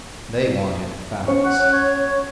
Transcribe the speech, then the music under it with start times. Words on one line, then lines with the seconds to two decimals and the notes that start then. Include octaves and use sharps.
They wanted facts.
1.28 C#4 C#6
1.45 F#5
1.73 C#5